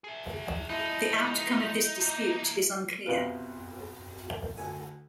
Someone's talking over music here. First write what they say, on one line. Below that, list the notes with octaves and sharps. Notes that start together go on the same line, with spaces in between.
The outcome of this dispute is unclear.
G#4 E5
F3 G#3 D#4 E4
E2 A#3
B1 F2 C3 C4 B4 F5
D2 A4 G#5